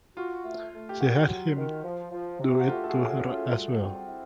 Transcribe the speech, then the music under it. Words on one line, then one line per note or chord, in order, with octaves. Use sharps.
She had him do it to her as well.
F4 F#4
A3
A3
G4
D#3 F#4
F#3
D#3
F3
F3
C3
F#4
A3 F4 G4
A4
F#4 G#4
C#4
F#4
A3
F4
G3
C4
E4